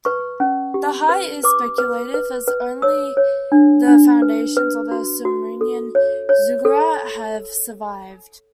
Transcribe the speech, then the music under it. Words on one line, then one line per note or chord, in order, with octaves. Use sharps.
The height is speculative, as only the foundations of the Sumerian ziggurat have survived.
B4 C#6
C#4
G4
B4
B4 D6
B4
B4
B4
C#5 E6
C#5
D4
D4
B4
B4
F#4
F#4
A4
C#5
C#5
A4